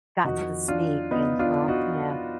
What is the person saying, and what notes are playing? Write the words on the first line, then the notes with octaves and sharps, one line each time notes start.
got to the snake and, well, yeah.
F2 D#3 D#4 F#4
D4 F4
B3 D#4
D4 F4
D#4 F#4